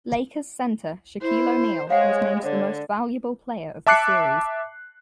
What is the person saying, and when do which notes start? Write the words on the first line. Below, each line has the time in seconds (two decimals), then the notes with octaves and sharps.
Lakers center Shaquille O'Neal was named the Most Valuable Player of the series.
1.22 E4 C5
1.90 G#3 C#5 F5 F#5
2.43 D3 C#5
3.87 E5 A5 D6 F#6 C7 C#7